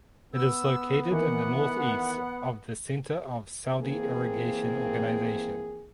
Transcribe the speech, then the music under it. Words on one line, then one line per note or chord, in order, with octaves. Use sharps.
It is located in the northeast of the center of Saudi Irrigation organization.
B3 E6
D#3 E3 A#3 F#5
D#2 E3 A#3 C4 G#4